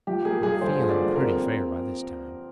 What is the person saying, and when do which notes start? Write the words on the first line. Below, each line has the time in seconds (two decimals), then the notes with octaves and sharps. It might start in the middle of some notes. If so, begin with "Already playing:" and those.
"I'm feeling pretty fair by this time."
0.07 F3 G4
0.25 A#3 G#4
0.43 G2 G#4
0.61 D3 C5
0.80 F3
0.89 D5
0.98 A#3
1.16 C4 A#4